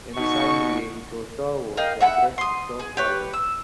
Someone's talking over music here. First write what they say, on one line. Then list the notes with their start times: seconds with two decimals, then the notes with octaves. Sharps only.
In the same year, he saw Star Wars while dressed as Darth Vader.
0.17 B2 D#4 C#6
1.77 A#4 D#5 F5 G5
2.01 E5 F#5 G#5 B5
2.38 C6 D#6
2.79 G#4
2.97 G4 B4 C#5
3.33 E6